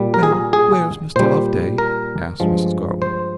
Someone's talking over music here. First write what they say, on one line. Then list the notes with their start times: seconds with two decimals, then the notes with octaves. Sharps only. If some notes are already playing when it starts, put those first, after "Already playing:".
'Well, where's Mr. Loveday?' asked Mrs. Garland.
Already playing: A#2 G3
0.14 A#4
0.23 G#4
0.53 G#4
1.16 A#2 G3 C5
1.78 A#4
2.40 G2 F3 G#3
3.02 C5